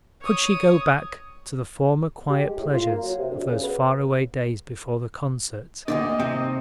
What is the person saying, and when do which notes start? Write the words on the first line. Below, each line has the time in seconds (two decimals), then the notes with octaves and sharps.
Could she go back to the former quiet pleasures of those faraway days before the concert?
0.22 C#5 D#6
2.29 G4
2.43 G#3
2.56 A2
2.72 F4
2.88 A#3
3.02 F#3
3.18 C3
3.30 D2
3.46 C#3
3.62 B3
5.88 D2 B2 D#3 A#3 D5 D#5
6.20 C3 C4